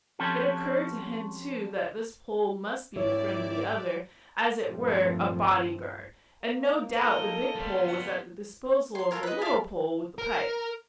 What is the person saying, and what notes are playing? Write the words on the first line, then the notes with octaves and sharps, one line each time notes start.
It occurred to him, too, that this Pole must be the friend of the other, as it were, a "bodyguard," and no doubt the big Pole was at the disposal of the little Pole with the pipe.
F3 C4 C#4 F#4 G4 A4
G#2 F#3 E4 G4 C#5 D5 E5
G2 A#2 F3 A3 C4
A#3
D#4 F4 A4 A#4 D#5
G3 B3 C#4 C6
F#5
C6
F4 A4 A#4 C#5
B4 D#5
D5 E5 F5 A5
A#4